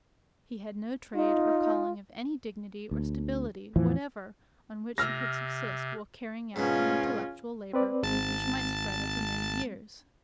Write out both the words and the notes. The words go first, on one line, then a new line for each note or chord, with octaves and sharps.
He had no trade or calling of any dignity or stability whatever on which he could subsist while carrying out an intellectual labour which might spread over many years.
D#4 F4
D2
E2 A2 E3 F3
C3 E6 F6 A#6
G#2 B2 C#4 F4
C4 B4 D5
G#1 G#3 C4 A5 A6